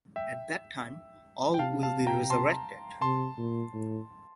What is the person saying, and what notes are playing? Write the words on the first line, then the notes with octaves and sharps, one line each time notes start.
At that time, all will be resurrected.
E5 G5
G5
C3 F5 A5
F5 A5
G5 A#5
A5 C6
C3 A5 C6
A#2
A2